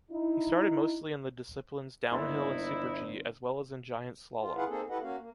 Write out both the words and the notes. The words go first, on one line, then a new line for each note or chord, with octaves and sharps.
He started mostly in the disciplines Downhill and Super-G as well as in Giant slalom.
D#4 E4
G1 A#3 D#4 E4 C6 A6
F4
E4 F4 G#4 B4 F5 F#5
A#3 C4 D#4 G#4 A4
E4 G4 A4 B4 D#5 F#5
A#3 C#4 F#4 F5
A#3